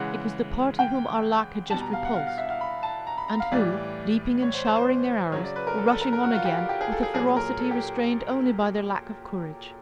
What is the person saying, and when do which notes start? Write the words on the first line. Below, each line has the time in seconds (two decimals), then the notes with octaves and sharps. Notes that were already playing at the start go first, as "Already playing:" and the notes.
It was the party whom Arlac had just repulsed, and who, leaping and showering their arrows, were rushing on again with a ferocity restrained only by their lack of courage.
Already playing: C#3 E3 G#3 F#5
0.79 G5
1.70 G3 A5
1.74 B2
1.81 A#5
1.93 F5
2.05 F#5
2.16 F5
2.27 F5
2.38 E5
2.50 F5
2.61 B5
2.83 A5
3.07 A#5
3.18 B5
3.28 A#5
3.40 F5
3.51 A2 E3 G3 D5
4.42 C#5
4.54 C5
4.65 C5
4.76 C5
5.32 F#3 C#5
5.36 C#3
5.44 D5
5.56 B4
5.67 A#4
5.78 A4
5.90 A4
6.01 A#4
6.13 A#4
6.23 F#4
6.35 F4
6.45 G4
6.57 G4
6.69 G4
6.81 G#4
6.92 A4
7.03 G#4
7.14 A#2 F#3 G#4
7.36 A#4
7.59 A4
7.71 G4